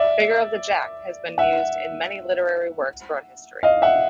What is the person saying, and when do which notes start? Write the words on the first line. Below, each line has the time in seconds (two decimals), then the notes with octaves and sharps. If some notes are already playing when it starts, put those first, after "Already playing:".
The figure of the jack has been used in many literary works throughout history.
Already playing: D5 E5
1.38 E5 F#5
3.63 D#5 F5
3.82 E5 F#5